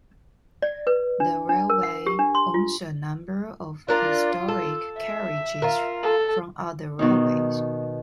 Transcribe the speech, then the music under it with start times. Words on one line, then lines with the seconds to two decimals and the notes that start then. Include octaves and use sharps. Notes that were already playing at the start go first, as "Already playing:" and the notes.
The railway owns a number of historic carriages from other railways.
0.62 D5
0.87 B4
1.20 D4
1.49 D4
1.70 A#4
1.83 F#5
2.07 G4
2.19 D4
2.35 C6
2.54 F4
3.88 D4 F4 A#4 D5
4.48 A4
4.98 E5
5.62 F4 A#4
6.03 A4
6.99 B2 D#3 D#4